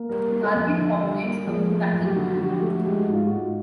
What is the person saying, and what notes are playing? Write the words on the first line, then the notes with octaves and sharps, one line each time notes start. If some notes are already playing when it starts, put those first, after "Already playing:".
Cargill operates a meatpacking plant.
Already playing: A#3
G3 A#4
A#3
A4
F2
D3
G3
A#3
F3 G#4
A3
F#2
G4
D3 F#4
F3 F#4
G4
A3
G#3 G4
F#4
G#2 F4
G#2 F#4